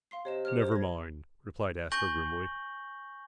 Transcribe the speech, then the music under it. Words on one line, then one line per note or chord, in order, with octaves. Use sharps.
"Never mind," replied Astro grimly.
F5 C6 C7
C3 C#5 D#5 E7
G4 C#5 F6
C5 C#5
G#6 A#6
G#5 C#6 G6 A#6 F#7 G7